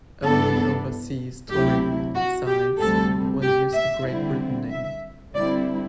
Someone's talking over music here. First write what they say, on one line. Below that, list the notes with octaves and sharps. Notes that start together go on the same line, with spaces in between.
Only overseas touring sides will use the Great Britain name.
G2 E3 B3 D4 A4
D2 C3 F#3 A3 E4 G4
F#4
G4
D2 C3 G3 C4 A4
G4
E5
D3 G3 C4 E4
E5
D3 G3 C4 E4 D5